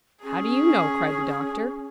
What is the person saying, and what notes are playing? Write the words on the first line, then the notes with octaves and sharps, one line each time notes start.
"How do you know?" cried the doctor.
C#4 G#4